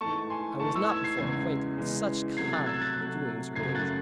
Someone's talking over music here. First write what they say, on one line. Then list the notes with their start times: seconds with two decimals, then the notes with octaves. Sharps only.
I was not before acquainted with such kind of doings or dangers.
0.01 G#2 E3 A3 A5 C#6
0.30 G#5 C6
0.59 G#2 E3 A3 A5 C#6
0.75 C#6 E6
0.89 E6 G#6
1.04 G#6 C7
1.19 E2 C#3 E3 G#3 G#6 C7
1.78 E2 C#3 E3 G#3
2.37 C3 F#3 A3 G#6 C7
2.53 F#6 A6
2.66 E6 G#6
2.81 F#6 A6
2.96 C3 F#3 A3
3.55 F#2 C#3 F#3 A3 G#6 C7
3.75 F#6 A6